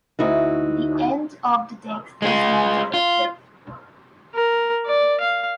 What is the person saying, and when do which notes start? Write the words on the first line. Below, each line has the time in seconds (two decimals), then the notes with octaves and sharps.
The end of the text is not defective.
0.19 D2 D#4 E4 F#4
2.22 G#3 F4
2.94 F4
4.35 A#4
4.86 D5
5.21 F5